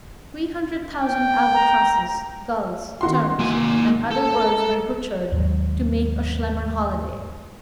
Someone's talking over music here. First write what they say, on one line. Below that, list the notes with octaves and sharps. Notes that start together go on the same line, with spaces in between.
Three hundred thousand albatrosses, gulls, terns and other birds were butchered to make a Schlemmer holiday!
G5
A#5
D#3 F#4 C6
A#3 G#5
A4
A#5
D#2 G#2 F#3